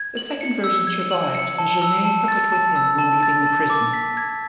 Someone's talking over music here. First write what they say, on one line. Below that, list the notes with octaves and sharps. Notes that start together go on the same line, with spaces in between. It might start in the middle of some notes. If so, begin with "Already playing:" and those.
The second version survived and Genet took it with him when leaving the prison.
Already playing: G#6
F#7
C#7
E6
G#6
F#7
C#7
A5
E6
A5
A6
A5
E6
A5
A6
A5
D6
B6
G#6